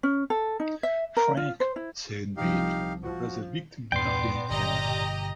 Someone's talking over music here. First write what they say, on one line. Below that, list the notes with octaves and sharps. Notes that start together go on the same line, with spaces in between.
"Frank", said Bate, was a victim of the Internet.
C#4
A4
D#4
E5
A#4
F4
C5
E4
C2 F3 D#4 G4 F5
F3 F#4
E2 G2 A#2 B3 D5 G5 C6
G1 B2 G4 D#5 A#5